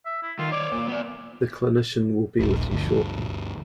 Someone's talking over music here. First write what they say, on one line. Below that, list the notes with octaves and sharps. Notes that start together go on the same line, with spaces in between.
The clinician will be with you shortly.
E5
E4
D#3 F4
C#5 D5 D6
A#2
B3 D5
D#1 A#1
G1 D2